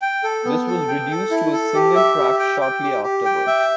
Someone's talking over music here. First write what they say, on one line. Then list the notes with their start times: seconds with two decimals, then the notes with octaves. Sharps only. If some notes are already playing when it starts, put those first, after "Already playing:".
This was reduced to a single track shortly afterwards.
0.02 G5
0.24 A4
0.45 B3
0.67 A4
0.88 G5
1.11 A4
1.31 E4
1.53 A4
1.74 G4
1.96 E5
2.18 G4
2.39 G5
2.61 G5
2.82 G4
3.03 G4
3.25 G5
3.47 E5